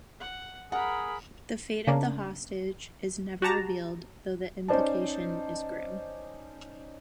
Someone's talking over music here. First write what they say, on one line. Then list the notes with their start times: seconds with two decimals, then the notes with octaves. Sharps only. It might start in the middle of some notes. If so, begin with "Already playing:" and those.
The fate of the hostage is never revealed, though the implication is grim.
0.20 F#5
0.72 G#4 A#4 F#5 B5
1.87 C#3 A#3 C#4 D4
3.42 F#4 G4 A5 A#5
4.68 C#4 D#4 C5 D5 A5